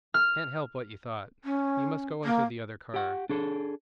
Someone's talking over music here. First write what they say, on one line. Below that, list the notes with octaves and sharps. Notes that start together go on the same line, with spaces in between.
"Can't help what you thought--you must go into the other car."
F6
C#4
A#3
G4 F#5
D4 G#4 A4